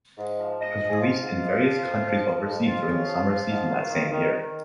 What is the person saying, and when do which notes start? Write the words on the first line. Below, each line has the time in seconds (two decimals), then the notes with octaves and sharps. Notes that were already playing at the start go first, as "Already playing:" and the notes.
It was released in various countries overseas during the summer season that same year.
0.18 G#2
0.39 F3
0.60 G#2 D#5
0.81 F3
0.89 G#4
1.01 G#2 F4
1.22 G#2
1.43 F3
1.63 F3
1.84 F2
2.05 F3
2.25 F3
2.46 F2
2.66 F2 F4
2.87 C#3
3.08 F3
3.29 F3
3.50 G#2
3.70 D#3
3.90 D#3
4.11 D#3
4.32 D#3